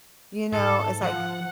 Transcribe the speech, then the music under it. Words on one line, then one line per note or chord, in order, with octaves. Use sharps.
you know, it's like
G#2 A4
F3 F#5